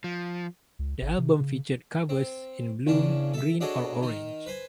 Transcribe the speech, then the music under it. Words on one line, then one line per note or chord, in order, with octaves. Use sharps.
The album featured covers in blue, green, or orange.
F3
C#2
G#1
C3
C#3
C4
E2 C#3 D4
A4 E5
D4 F#4 G#4 A4 C#5 D#5
D#3 D#4
B4 C5 G#5